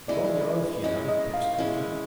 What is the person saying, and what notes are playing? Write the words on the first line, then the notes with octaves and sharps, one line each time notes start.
"You're on your oath, you know, Pip's comrade?"
G#3 C#4 E4 D5
G#3 C#4 E4 D#5
D#5
F5
G#3 C#4 E4